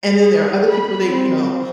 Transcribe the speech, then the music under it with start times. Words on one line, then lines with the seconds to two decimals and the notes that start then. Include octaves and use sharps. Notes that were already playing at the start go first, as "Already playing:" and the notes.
and then there are other people they you know,
0.13 G#4
0.71 B5
1.07 C4